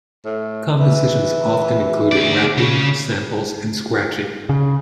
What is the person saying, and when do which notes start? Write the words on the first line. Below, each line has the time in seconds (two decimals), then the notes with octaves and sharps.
Compositions often included rapping, samples and scratching.
0.25 A2
0.79 E3
2.12 D2 D5
2.58 C#3
4.49 C#3